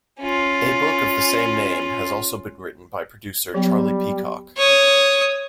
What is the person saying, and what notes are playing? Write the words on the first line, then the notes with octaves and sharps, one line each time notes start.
A book of the same name has also been written by producer Charlie Peacock.
C#4 F4
F#3 G3 B3
C#5 D#6